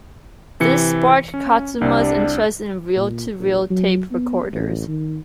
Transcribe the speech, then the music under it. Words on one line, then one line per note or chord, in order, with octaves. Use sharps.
This sparked Katsuma's interest in reel-to-reel tape recorders.
C3 E3 C#7
C#4
C2 C3 D4
A#2
A#1
F#3
B3
A1
D#3